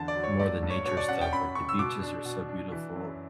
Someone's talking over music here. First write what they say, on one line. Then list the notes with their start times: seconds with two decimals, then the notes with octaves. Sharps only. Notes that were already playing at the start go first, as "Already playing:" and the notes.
more of the nature stuff, like, the beaches are so beautiful,
Already playing: E2 D3 A5
0.08 D5
0.15 F#3
0.24 C#5
0.39 A3 D5
0.63 G2
0.70 C#5
0.85 B2 C#5
0.97 D5
1.09 C#4 F#5
1.21 G5
1.32 F#2 B5
1.55 C#3 C#6
1.69 E6
1.78 B2 D6
2.03 D4
2.26 B2
2.49 D4
2.72 E3
2.96 F#2